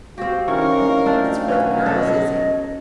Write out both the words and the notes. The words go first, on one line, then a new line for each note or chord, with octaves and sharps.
"O, it's for the girls, is it?"
C4 F#4 G4 F5
E3 C#4 D#4 A#4 C#6
A3 C4 D4
B2 F#3 C#4 B4
A4 D#5